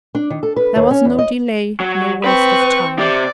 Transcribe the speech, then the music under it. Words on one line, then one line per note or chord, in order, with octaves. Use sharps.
There was no delay, no waste of time.
D4
D#3
A4
B4
D#2
C#4
E2
D#5
F#3
C4 B4 C#6
C3 G4 D5